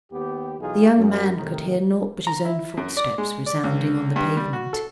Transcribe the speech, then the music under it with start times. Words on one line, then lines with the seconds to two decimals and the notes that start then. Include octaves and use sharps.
The young man could hear naught but his own footsteps resounding on the pavement.
0.12 D#2 B3 G4
0.59 B1 E3 D#4 F4 G#4
0.97 F#2
1.36 A2 C3 D#3
2.27 A#5
2.45 E4
2.77 F#2
2.97 D5
3.18 G#3
3.46 D5
3.64 C#2
4.16 G2
4.37 G3
4.53 F#4
4.73 A4